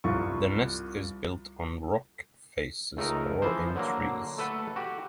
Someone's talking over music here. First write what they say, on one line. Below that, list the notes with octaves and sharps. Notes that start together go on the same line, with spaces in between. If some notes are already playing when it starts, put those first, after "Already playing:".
The nest is built on rock faces or in trees.
C2 F4 C#6
C#2 A3 D#4 A#4
E3 F3 C5
D3 F#3 A#3
A3 A4 B4 F#5
F#4 G4